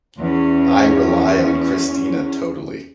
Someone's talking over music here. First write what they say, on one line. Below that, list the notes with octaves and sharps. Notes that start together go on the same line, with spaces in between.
I rely on Kristina totally.
E2 C#4